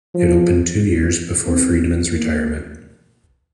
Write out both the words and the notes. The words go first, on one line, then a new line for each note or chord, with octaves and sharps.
It opened two years before Friedman's retirement.
F3
C4
A#3